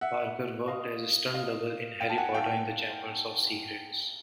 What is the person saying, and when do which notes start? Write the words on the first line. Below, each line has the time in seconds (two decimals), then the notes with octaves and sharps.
Parker worked as a stunt double in "Harry Potter and the Chamber of Secrets".
0.01 E5 F#5
0.68 D#5 F5
1.34 D#5 F5
2.00 F5 G5
2.10 A5
2.18 F#5 G#5
2.34 F5 G5